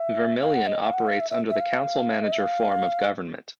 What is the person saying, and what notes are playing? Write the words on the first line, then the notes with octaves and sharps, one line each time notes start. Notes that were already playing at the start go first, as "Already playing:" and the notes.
Vermillion operates under the council-manager form of government.
Already playing: E5
F5
F#5
D#5
F5
F#5
F5
E5
E5
E5
F5
D#5
E5
F5